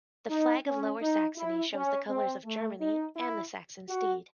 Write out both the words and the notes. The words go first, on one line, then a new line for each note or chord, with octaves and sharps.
The flag of Lower Saxony shows the colors of Germany and the Saxon Steed.
D#4
C#4
D#4
E4
C#4
C4
A3
D#4
E4
F#4